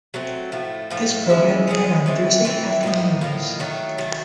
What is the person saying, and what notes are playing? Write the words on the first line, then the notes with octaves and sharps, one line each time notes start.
This program aired on Thursday afternoons.
F#3 A3 C4
A2 F3 A3
A2 F3 A3
G#3 C#4 E4 G#4
G#3 C#4 E4 G#4
E3 A3 C4 E4
E3 A3 C4 E4
A2 F3 A#3 D#4
A2 F3 A#3 D#4
D#3 F#3 A3
D#3 F#3 A3